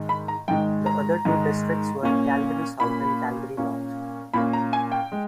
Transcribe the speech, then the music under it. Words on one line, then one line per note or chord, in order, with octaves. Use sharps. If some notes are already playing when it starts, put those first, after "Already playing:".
The other two districts were Calgary South and Calgary North.
Already playing: G#2 D#3 G#3
B5
A#5
G#2 D#3 G#3 G5
A#5
G#2 D#3 G#3
A#2 A#3 C#4
A#2 A#3 C#4 B5
A#2 A#3 C#4
A#2 A#3 C#4 B5
A#5
G#5
G5
G#3